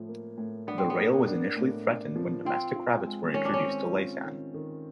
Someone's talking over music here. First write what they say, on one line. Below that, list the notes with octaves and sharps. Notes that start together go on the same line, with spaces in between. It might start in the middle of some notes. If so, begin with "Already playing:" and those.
The rail was initially threatened when domestic rabbits were introduced to Laysan.
Already playing: A2 F3
A#3
A2
B3 D4
C4
B3
A#3
D4
A2
D4
F3
C4 F4
F4
G#3
D#3 C#4
D4
C#4
C4
F4
D#3
D#3